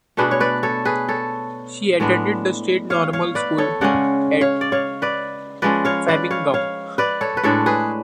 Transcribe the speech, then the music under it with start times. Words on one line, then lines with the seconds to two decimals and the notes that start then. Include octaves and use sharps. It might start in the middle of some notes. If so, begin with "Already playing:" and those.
She attended the State Normal School at Framingham.
0.17 B2 A3 D4 G#4 B4
0.31 C#5
0.40 B4 D5
0.63 A4 C#5
0.85 G#4 B4
1.08 A4 C#5
2.00 A2 G#3 B3 D4
2.90 C#5 F5
3.13 C#5 F5
3.35 B4 D5
3.58 A4 C#5
3.81 C#3 G#3 C#4 D5 F#5
4.41 C#5 F5
4.61 D5
4.72 C#5 F5
5.02 B4 D5
5.62 F3 G#3 C#4 B4 D5
5.85 C#5 F5
6.08 B4 D5
6.31 C#5 F5
6.54 C#5 F5
6.98 B4 D5
7.21 A4 C#5
7.37 B4
7.43 A2 G#3 D4 A4 C#5
7.66 G#4 B4